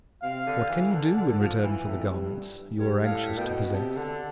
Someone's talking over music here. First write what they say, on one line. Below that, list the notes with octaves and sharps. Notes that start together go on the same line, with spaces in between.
What can you do in return for the garments you are anxious to possess?
C3 F5
D3
E3
D3
D3
F3
E3 E5
A2
F2
G2
G2
A2 F5
B2 G5
C3 A5
D3